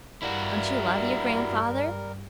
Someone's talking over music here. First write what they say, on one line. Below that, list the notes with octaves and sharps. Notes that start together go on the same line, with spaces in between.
"Don't you love your grandfather?"
G2 G3 E4 F#4 A#4